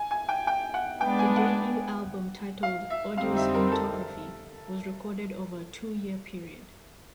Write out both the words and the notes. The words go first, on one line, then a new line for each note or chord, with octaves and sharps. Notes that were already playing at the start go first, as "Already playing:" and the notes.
The debut album titled 'Audio Cinematography', was recorded over a two-year period.
Already playing: G#5
G#5
G5
G5
F#5
G#3 B3 D4 G5
G#5
F#5
F5
E5
F2 D3 G3 C4 D#4 F5
E5
A#4
A4